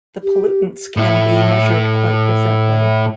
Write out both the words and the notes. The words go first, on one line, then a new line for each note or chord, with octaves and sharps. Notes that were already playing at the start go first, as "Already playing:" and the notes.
The pollutants can be measured quite differently.
G4
A2 E4